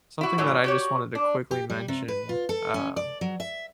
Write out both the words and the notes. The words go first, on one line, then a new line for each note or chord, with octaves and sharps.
something that I just wanted to quickly mention, uh,
E4 F#4
A2 D3 E3 F#3
F#4 G4 C#5
D4
G4
G3
C3
B4
F4
A4
C#4
D5
F#3
E5